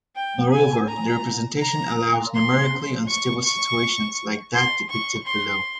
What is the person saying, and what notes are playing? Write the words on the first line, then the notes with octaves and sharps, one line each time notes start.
Moreover the representation allows numerically unstable situations like that depicted below.
G5
G#5
A#5
A#5
C6
C#6
C#6
C6
C#6
C6